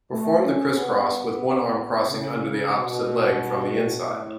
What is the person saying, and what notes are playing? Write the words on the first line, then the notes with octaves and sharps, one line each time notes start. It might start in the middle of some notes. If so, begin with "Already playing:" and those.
Perform the criss-cross with one arm crossing under the opposite leg from the inside.
A3
C#4
B3
C#3
B2
A2